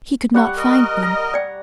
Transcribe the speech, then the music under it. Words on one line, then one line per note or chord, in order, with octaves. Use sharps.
He could not find one.
G3 F#5 C#6
A#4 D#5
A#5
D5 G5